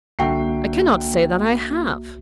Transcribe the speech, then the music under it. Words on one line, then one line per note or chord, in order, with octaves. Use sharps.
I cannot say that I have.
C2 D3 A#3 F#4 E5 G5 C7